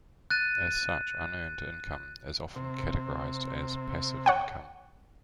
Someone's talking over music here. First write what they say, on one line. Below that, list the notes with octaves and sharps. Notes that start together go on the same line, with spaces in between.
As such, unearned income is often categorized as "passive income".
F#6 A6 D#7
C3
C#5 F#5 G5